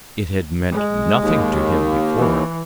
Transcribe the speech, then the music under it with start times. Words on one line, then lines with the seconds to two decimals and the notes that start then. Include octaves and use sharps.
It had meant nothing to him before.
0.72 G#3
1.20 D#2
2.18 E3